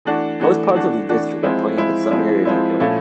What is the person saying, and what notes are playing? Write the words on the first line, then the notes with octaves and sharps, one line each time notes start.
Most parts of the district are plain but some areas are hilly.
E3 A3 D4 F#4
E3 A3 D4 F#4
E3 A3 D4 F#4
E3 A3 D4 F#4
F3 G#3 C4 E4
F3 G#3 C4 E4
F3 G#3 C4 E4
F3 G#3 C4 E4
A#2 F3 A3 C#4 E4